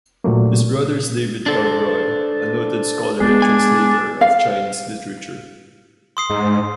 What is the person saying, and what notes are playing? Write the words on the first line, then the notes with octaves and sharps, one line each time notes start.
His brother is David Tod Roy, a noted scholar and translator of Chinese literature.
A#2 F#3 A3 A#3
D4 A4 C5
G#3 B3 D4 G#4
G#5
F5
C6 D#6 C7
G#2